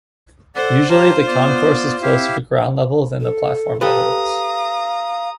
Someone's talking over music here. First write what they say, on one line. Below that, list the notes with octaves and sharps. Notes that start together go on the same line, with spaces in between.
Usually, the concourse is closer to ground level than the platform level is.
A4 C5 D5 F#5
F4 G4 C#5 A5 A#5
B3 D5
C4 E4 G4 F5
A4
G4 A4 B4 F5 A#5 D#6